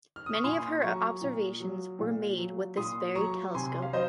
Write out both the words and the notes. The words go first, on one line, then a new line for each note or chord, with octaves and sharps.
Many of her observations were made with this very telescope.
F6
D#6
C#6
A#2 G#5 C6
F#3 A#5 C#6
A#2
F#3
A#2
F#3
A#2 C6 D#6
F#3 A#5 C#6
C3 G#5 C6
F5
F#3 C5 D#5